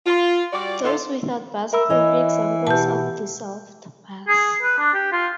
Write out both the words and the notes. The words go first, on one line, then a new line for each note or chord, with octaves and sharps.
Those without bars could be examples of dissolved bars.
F4
G3 F#4 D5
A2 D3 F4 A4 D#5
A#4 E5 B5 E6
E3 C#5 D#5
B2 G4 A5
G#4
B4
D4
G4
F4